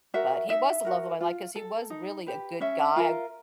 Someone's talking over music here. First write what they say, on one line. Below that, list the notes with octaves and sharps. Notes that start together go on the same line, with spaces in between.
But he was the love of my life 'cause he was really a good guy,
F#4 A#4 E5
D#4 E5
F#4 A#4
F4
A4
D#4
G4 B4
C#4 E5
F4 A#4